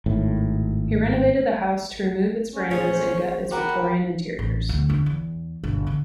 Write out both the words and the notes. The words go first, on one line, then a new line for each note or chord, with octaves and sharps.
He renovated the house to remove its verandas and gut its Victorian interiors.
G#1 A2
C#4
A#2 G#4 C5 C#5
F#4 G4 A#4 B4
A1
D2
F2 D3
E2
G1 B2
D#2 D3